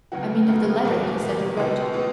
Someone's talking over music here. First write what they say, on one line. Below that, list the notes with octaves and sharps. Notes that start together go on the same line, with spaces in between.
"I mean of the letter he said you wrote."
C#2 C#3 F#3 B3 F#4
C#2 C#3 F#3 B3 F#4
F#1 E2 B2 A#3
F#1 E2 B2 A#3
C#2 B2 G#3 B3
B2 G#3 B3